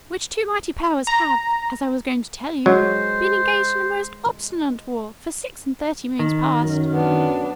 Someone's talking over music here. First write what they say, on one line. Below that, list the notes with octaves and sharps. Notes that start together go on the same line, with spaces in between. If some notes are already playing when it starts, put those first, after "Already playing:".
Which two mighty powers have, as I was going to tell you, been engaged in a most obstinate war for six-and-thirty moons past.
A#5
F#3 G#3 C5
D#3
F#2 F#3
B3 D4